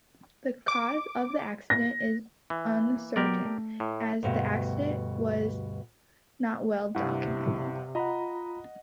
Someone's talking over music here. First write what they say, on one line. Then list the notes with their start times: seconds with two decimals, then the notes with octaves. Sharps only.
The cause of the accident is uncertain as the accident was not well documented.
0.68 D6
1.70 A#6
2.50 E3
2.96 A#3
3.16 F#3 B3 G4 A#4 D5 C6
3.45 A3
3.80 A2
4.23 D2 G2 B2
6.95 G2 C3 E4 F#5
7.95 F4 D#5 F#5 A#5 B5